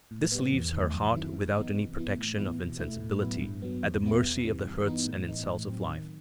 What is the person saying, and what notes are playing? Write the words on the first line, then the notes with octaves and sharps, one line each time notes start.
This leaves her heart without any protection of insensibility, at the mercy of the hurts and insults of life.
A2
G3 B3
E2
D#3 A3
F#2
D#3 F#3 C4 E4
G2
E3 B3 D#4
C3
E3 B3 E4
A2
E3 B3 E4
B2
A3 E4
A2
F#3 B3 E4
G2
F#3 B3
E2
B2 G3 B3 E4
E2
C3 E3
G2
E3 B3 D#4
A2
E3 B3 D#4
A2
F#3 C4
D#3